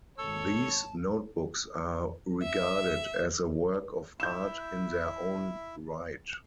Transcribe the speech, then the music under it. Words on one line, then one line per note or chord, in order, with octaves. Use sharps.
These notebooks are regarded as a work of art in their own right.
G#1 A4 C#5 A5 E6
E5
E4 E5 G6 E7